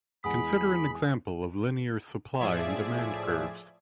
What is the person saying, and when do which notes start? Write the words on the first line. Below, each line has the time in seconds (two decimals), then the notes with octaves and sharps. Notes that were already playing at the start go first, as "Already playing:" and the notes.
Consider an example of linear supply and demand curves.
0.24 E2 G#3 F#5 G#5 B5 D#6
2.38 A2 F3 G#4 D5 E5 G#6